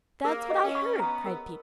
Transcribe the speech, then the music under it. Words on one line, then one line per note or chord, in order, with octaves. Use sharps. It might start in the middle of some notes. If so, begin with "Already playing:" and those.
"That's what I heard," cried Peter.
A#3 A#4
D#5
C#4
C#6
B3 A#5
A#4